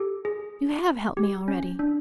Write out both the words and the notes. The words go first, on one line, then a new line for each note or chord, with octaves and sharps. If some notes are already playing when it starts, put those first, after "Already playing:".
You HAVE helped me already.
Already playing: G4 A4
G#4
G4
C#4
D4